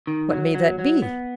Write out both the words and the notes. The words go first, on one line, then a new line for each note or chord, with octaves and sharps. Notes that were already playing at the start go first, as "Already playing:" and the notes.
What may that be?
D#3
F#3
F#3
F#3
B3